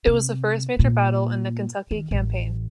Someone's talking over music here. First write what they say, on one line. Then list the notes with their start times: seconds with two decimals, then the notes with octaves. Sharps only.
It was the first major battle in the Kentucky Campaign.
0.07 C3
0.79 A#2
1.91 D#3
2.11 A1